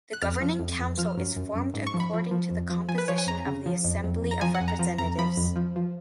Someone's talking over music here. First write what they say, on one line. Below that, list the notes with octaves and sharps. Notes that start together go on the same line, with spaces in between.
The Governing Council is formed according to the composition of the Assembly of Representatives.
F#6
F2 F6
F3
F2
F2
F3 F6
F#2
F#2
F#2
G#2
C#6
F3
B5
F3
F3
F2
F3
F3 G#5
B4
F3 C#5
G#5
F2 A#5
C#3
F3
F2
F2
F2
A#5
F3 G#5
F#5
F2
A#5
F3
F2 A#5
F3 B5
F2
F3
F3